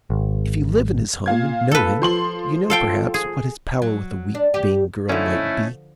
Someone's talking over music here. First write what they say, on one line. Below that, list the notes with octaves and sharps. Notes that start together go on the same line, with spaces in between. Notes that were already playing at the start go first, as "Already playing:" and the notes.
If you live in his home and know him, you know, perhaps, what his power with a weak, vain girl might be.
G#1
A#2 F5 G#6
A4 B4
F3 C6 F#7
A4 F5 G5
G#4
F#3
D4
G4
D3 F3 A3 C#4 D#4 E4